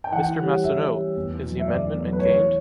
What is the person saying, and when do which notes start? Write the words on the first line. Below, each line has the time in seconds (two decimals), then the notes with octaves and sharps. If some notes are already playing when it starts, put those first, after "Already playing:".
Mrs. Massonneau, is the amendment maintained?
0.04 G5
0.12 E3 F#5
0.39 G3 C#4 G4
0.64 E3 E5
0.90 G3 C#4 G4
1.16 E2
1.41 B2 F#3 A3
1.59 E5
1.68 E2 D5
1.93 B2 F#3 A3
2.13 B4
2.19 E3 C#5